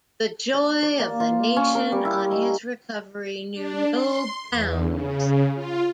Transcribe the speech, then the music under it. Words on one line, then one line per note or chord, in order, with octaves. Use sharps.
The joy of the nation on his recovery knew no bounds.
D5
D5
A#3
F4
C#4
A#4
G3
E4
D#4
D4
C6
E2
C#3
F4